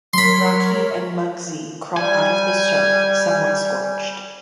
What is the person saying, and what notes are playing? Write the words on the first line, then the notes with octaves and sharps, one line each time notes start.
Rocky and Mugsy crawl out of the stove, somewhat scorched.
F#3 A#4 C#5 B5 C6 B6
G3 G#5